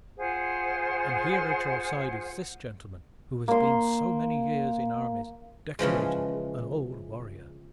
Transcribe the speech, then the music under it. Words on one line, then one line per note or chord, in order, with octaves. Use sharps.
And here, at your side, is this gentleman, who has been so many years in armies--decorated, an old warrior.
F4 G#4 C5 F#5
A#3 C6
C#3 E3 F3 G#3